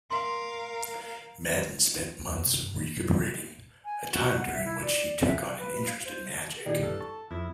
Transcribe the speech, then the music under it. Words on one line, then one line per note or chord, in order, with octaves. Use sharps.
Madden spent months recuperating, a time during which he took an interest in magic.
A#4 F5 C6
D2
F2
C3
G2
G#5
F#4
F#5
E5
E4
D5
E5
F5
B4
B4
F5
C5
A#2 D#3 E4 G4 G#4 D5
G2 A4
A5 C#6
F2 E4